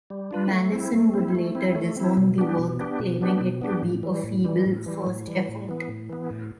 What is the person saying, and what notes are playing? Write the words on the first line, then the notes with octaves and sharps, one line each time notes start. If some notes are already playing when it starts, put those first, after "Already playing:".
Malleson would later disown the work claiming it to be a feeble first effort.
G3
D4 F4 B4
A3
C4 E4
A3
C4 E4
A3
C4 E4
A3
C4 E4
B2
B3 D4 G4
B2
B3 D4 G4
B2
B3 D4 G4
B2
B3 D4 G4
A2
E3 G3
A2
E3 G3
A2
E3 G3
A2
E3 G3
A2
E3 B3
A2
E3 B3
A2